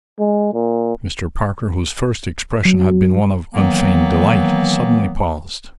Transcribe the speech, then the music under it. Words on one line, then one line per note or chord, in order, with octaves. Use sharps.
Mr. Parker, whose first expression had been one of unfeigned delight, suddenly paused.
G#3
A#2
F#3
D#3 E3 F#3 A#3 B3